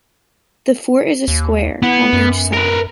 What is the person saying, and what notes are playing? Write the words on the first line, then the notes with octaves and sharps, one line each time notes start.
The fort is a square, on each side.
D#2
B3 E4
F#2
A#4 B4